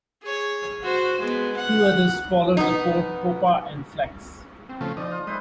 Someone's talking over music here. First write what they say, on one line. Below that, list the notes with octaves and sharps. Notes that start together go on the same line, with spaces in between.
Two others followed the four, Poppa and Flex.
G#4 C#5
F#4 C5
G#3 B3
F#5
B3 D#4
C4
C#3 F3 A3
F3 D#4 D5
F4
G#3 B4 C5 D#5 E5